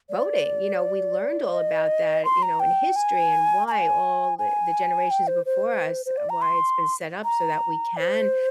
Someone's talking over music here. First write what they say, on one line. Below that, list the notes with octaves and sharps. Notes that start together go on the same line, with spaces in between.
voting. You know, we learned all about that, you know, in history and why all, eh, the generations before us, why it's been set up so that we can
D5
D#5
C6
A#5
G5
G#5
A#5
G#5
G#5
G5
C5
C5
C5
D5
A#5
C6
A#5
D5
C5